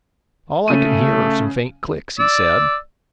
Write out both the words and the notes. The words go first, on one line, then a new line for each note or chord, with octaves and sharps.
"All I can hear are some faint clicks," he said.
C#3 A3 D#7
D5 E6